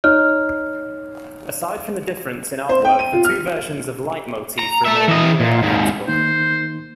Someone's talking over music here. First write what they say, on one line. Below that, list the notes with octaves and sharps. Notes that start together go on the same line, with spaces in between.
Aside from the difference in artwork, the two versions of "Leitmotif" remain nearly identical.
D#4 C#5 F6
C5
G5
D#7
F4
F6
A#5
A4 E5
E3 D#5
A#2
D#2 G#2
D#3 A#3 D#4 C5